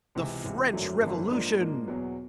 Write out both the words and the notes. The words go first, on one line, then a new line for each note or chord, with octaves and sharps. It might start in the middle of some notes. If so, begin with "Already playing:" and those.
"The French Revolution!"
C#2 C3 E3
C#2 C3 E3
G#1 F#2 D3 F#3 A3
G#1 F#2 D3 F#3 A3
G#2 F3 A#3 D4
G#2 F3 A#3 D4
E2 B2 F#3 B3